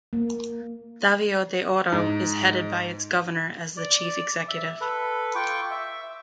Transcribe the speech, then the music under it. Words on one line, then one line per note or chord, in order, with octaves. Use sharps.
Davao de Oro is headed by its governor as the chief executive.
A#3
G#2
D5
E5
A4 B4
F4 G5 C#6 D6
E5